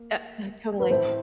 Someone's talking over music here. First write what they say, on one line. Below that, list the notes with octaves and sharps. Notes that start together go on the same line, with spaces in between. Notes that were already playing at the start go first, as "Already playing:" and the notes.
Uh, yeah, totally.
Already playing: A#3
B4
A2 E3 A3 C4 E4 C5